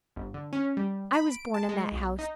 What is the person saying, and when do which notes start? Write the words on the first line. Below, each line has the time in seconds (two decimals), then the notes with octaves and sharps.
I was born in that house.
0.16 G1
0.34 D3
0.53 C#4
0.77 G3
1.13 B5
1.32 D7
1.54 A5
1.69 G#3
1.92 B1
2.19 D#4